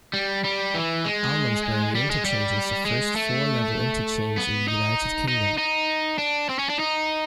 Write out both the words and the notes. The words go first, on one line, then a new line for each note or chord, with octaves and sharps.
Almondsbury Interchange was the first four-level interchange in the United Kingdom.
G3
G3
E3
G#3
G3
G#3
G3
G#3
A3
B3
D#4
D#4
D#4
D4
C4
C#4
D4
D#4